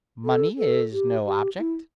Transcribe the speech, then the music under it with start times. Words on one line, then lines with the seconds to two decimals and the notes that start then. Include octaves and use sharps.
"Money is no object?"
0.25 A4
0.58 A4
0.93 G4
1.26 G4
1.59 E4